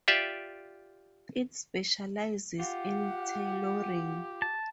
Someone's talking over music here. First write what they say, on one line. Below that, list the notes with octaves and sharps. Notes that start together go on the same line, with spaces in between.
It specialises in tailoring.
F4 G4 D5 E5
F4 G4 F#5
A5